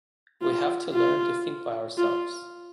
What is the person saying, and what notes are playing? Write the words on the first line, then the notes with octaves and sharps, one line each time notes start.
We have to learn to think by ourselves.
F4
F4
F4